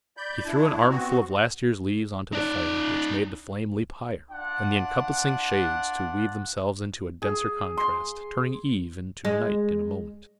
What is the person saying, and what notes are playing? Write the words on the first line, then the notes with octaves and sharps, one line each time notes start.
He threw an armful of last year's leaves on to the fire, which made the flame leap higher, and the encompassing shades to weave themselves into a denser contrast, turning eve into night in a moment.
D5 B5 G6
D4 E4
B3 C4 F#4
D#4 D5
D4 F4 F#5
G#4
C6
G#3